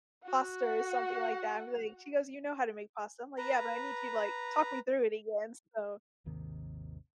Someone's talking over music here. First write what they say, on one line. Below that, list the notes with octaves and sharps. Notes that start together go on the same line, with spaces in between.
pasta or something like that?" I'm like she goes, "You know how to make pasta." I'm, like, "Yeah, but I need you, like talk me through it again." So,
F#4 F#5
B4 A#5
G#1 D#2 C3 D#3